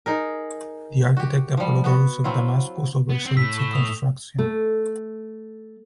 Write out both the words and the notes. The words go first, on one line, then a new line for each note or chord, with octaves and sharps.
The architect Apollodorus of Damascus oversaw its construction.
D#4 G#4 A#4
F#4 G4
F3 G3
B3 F#4
F#3 C4 E4 F4
B3
C4
A2 E6 B6
C#6 E7 G7
D#6 F7
A3